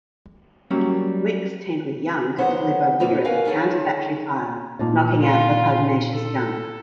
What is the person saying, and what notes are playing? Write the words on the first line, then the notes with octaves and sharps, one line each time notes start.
"Wickes" teamed with "Young" to deliver vigorous counter-battery fire, knocking out the pugnacious guns.
F#3 G3 A#3 C#4
E3 F#3 B3 C5 C#5 F#5
F2 A#2 A#3 C4 D#4 B4
C#4 A#4 B4 F5 F#5 G#5
C#4 D#4 G#4 A4 C#5
A#2 D#4 A5
F4
A4